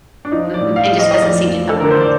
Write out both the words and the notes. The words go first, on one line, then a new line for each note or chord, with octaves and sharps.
Mhm, it just doesn't seem to come around.
D4
F3 D#4
D5
A2
F5
F3
D#5
D#5
F2 D5
F3
A4
D3 A#4
C5
D5